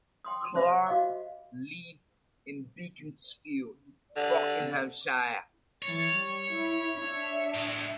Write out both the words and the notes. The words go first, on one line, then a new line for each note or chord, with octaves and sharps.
Clarke lived in Beaconsfield, Buckinghamshire.
G5 C6 D#6
G4 C5 E5 F#5 B5
F#4 D#5 F5 D6
D3
E3 C#5 A6
G3
E4
D4 E5
A2 G#3